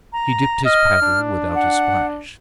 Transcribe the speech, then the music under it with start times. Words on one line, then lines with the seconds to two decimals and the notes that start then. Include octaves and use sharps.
He dipped his paddle without a splash.
0.13 A#5
0.65 D#5 F6
1.02 D4
1.55 F#5